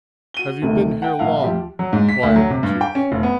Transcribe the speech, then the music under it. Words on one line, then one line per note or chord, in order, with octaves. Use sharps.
"Have you been here long?" inquired the Chief.
F#4 D#7 G7
D2 C3 D#3
F#5 G5
A#1 F5 F#5
F3 G4
F#3
G#2
B6
D2
F#3
C3
G2
G5
C#4
F1
B3